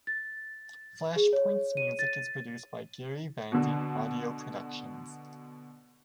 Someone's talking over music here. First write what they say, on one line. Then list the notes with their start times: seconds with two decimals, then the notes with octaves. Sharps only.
Flashpoint's music is produced by Gary Vandy Audio Productions.
0.07 A6
1.16 G#4
1.33 C#5
1.77 D#7
1.99 A6
3.52 B2 D3